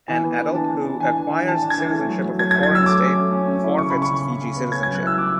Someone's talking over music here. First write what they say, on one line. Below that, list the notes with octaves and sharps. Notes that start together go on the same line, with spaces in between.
An adult who acquires citizenship of a foreign state forfeits Fiji citizenship.
E3 G#5
B3
D4
E3 A5
B3
D4
E3 G#5
D4
E3
E3 A5
D4
G#6
E3
A3
F#3
F#3
F#3 G#6
G#6
E4
G#6
F#3 E6
A3 D6
C#4
A3
C#4
C#4
E4
C#3 C#6
C#3 B5
C#6
C#3
C#3
C#3
B3
C#4 G#6
F#3 G#6
F#6
E4 E6
F#3 D6